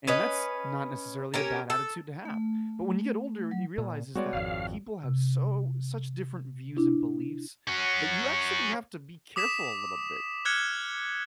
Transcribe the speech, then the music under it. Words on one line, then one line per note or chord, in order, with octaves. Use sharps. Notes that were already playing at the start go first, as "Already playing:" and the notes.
And that's not necessarily a bad attitude to have. But when you get older, you realize is that people have so such different views and beliefs, that you actually have to be careful a little bit,
C#4 B4 D#5
C#4 G4 A#4
A4
A3
F#3
A#2
G3 G#3 B3 F#4 C#5 D5
G#1 F2 F5
C3
D4 E4
C#4 F#4
D6 D#6 B6 E7
D#6 F6 F#6 G#6 C#7 G7